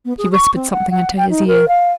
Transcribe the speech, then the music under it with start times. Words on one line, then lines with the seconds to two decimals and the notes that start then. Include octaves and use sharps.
'She whispered something into his ear.
0.05 B3
0.18 G#4
0.33 C#6
0.55 C4
0.72 F#5
0.91 F#5
1.17 G5
1.30 D#4
1.48 A#4
1.68 F5